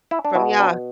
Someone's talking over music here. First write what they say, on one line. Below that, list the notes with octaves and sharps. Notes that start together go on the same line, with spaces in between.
from y'all
E4
D4
B2 E4
D4